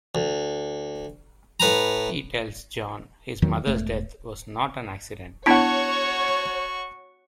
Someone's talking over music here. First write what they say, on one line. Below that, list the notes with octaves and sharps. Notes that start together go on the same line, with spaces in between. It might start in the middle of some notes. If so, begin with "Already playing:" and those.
He tells Jon his mother's death was not an accident.
D2
A2 B4 G#5 A#5
E2 D#3 F#3
E1 A3
B3 D4 E4 F#4 C#5 F#5 A5 C#6